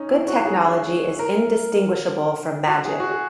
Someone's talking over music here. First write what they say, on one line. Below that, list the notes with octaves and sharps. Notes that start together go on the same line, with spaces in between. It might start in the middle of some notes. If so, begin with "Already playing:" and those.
Good technology is indistinguishable from magic.
Already playing: C#4 D#4
E4
F#4
G#4
A#4
F#4
G#4
F#4
G#4